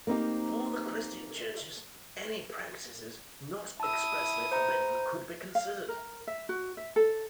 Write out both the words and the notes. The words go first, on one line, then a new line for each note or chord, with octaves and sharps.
For the Christian Churches, any practices not expressly forbidden could be considered.
A#3 C4 D#4 G4
E4 A5 D#6 E6
C5 A#5
F5
A#4
E5
F#4
E5
A4